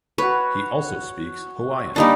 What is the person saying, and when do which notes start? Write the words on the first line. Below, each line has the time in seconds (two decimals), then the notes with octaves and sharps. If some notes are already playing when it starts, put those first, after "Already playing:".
He also speaks Hawaiian.
0.18 F#4 B4 C#5
1.96 G3 A#3 D4 D#4